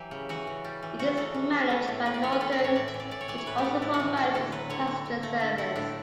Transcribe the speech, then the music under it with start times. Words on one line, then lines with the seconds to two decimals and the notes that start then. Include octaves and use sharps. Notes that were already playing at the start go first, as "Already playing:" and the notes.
It is managed by Northern, which also provides its passenger service.
Already playing: E3 F#3 G4
0.11 C#3
0.29 E3 F#4
0.47 C#3
0.64 G3
0.83 E3
0.99 C#3 F#4
1.17 C#3 A4
1.34 E3
1.52 E3
1.70 A3
1.88 A2
2.05 A2 B4
2.14 D5
2.23 E3 C#5
2.32 B4
2.40 E3 A4
2.52 D5
2.59 A2
2.64 C#5
2.76 A2 D5
2.88 E5
2.94 E3
3.00 D5
3.11 A2 D5
3.21 C#5
3.28 E3 D5
3.38 C#5
3.46 A2 B4
3.58 G4
3.64 A3
3.82 A2 E4
3.94 F#4
4.00 E3
4.17 A3 A4
4.35 D3 A4
4.52 F#3 B4
4.70 D3 C#5
4.87 D3
5.06 D3
5.23 A3
5.40 D3
5.58 A3 E4
5.76 A2 D4